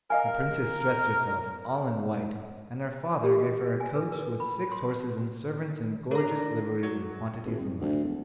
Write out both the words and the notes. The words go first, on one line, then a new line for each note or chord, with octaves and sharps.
The Princess dressed herself all in white, and her father gave her a coach with six horses and servants in gorgeous liveries and quantities of money.
A#4 D#5 F5 G#5
G4
D#5
G#5
B4
A#4
B5
C6
D4 A#4 A#5
F#3
G#1
C2
D2
E1